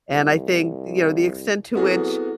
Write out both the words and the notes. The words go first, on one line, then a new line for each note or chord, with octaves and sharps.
and I think, you know, the extent to which
C2
F#3 B3 C4 E4 F#4 G#4 A4